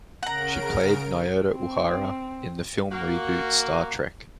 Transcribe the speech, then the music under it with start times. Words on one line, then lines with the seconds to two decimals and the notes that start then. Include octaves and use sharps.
She played Nyota Uhura in the film reboot Star Trek.
0.23 C#3 A#4 F#5 A#5 D7
1.53 C4
2.92 A#3 F#4